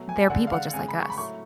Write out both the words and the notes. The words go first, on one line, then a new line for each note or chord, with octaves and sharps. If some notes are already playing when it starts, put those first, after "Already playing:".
there're people just like us.
Already playing: B2 F#3 A3
G#5
D3 G#3 F#5
F5
F#5
C#3 G#3 G#5
B5
C#6
B5
A2 F#3 A3 C#6